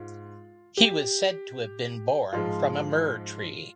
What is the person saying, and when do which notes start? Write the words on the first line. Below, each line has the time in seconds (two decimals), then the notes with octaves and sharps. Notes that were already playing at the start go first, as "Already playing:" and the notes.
He was said to have been born from a myrrh-tree.
Already playing: G#2 F4
0.77 G4
2.33 G#2 F3 G#3 F4